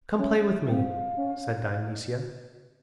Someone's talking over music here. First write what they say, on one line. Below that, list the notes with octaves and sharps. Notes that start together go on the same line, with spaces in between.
"Come play with me," said Dionysia.
C#4 E5
C4 F5 G5
C#4